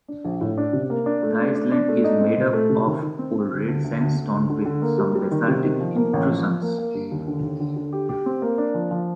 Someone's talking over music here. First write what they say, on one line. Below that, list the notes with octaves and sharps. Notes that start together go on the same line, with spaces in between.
The island is made up of Old Red Sandstone with some basaltic intrusions.
D4
A#1
A2
D4
C3
A#3
D4
A3
D4
D4
D4
A3
D#4
C4
A#2
A3
C3
D#3
D#3
C4
C4
D2
D2
D2
D2
D2
D2
D3
D3
A#3
G3
G3
D#3
C3
D#3
F3
A#3
A1
F3
F3
A#3
A#3
G2
D#2
D3
D#2
D3
D3
G4
G4
C4
A#3
D4
F3
F3